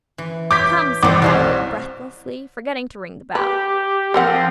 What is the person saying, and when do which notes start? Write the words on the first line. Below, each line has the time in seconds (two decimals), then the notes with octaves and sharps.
"Come," said Violet breathlessly, forgetting to ring the bell.
0.18 E3
0.51 C#5 D6 G6 B6
1.02 G#1 D#3 E3 C4 D6
1.22 C2 F4 F#4 C#5
3.35 G4 B4
4.14 F3 C4 A4 A#4 F#5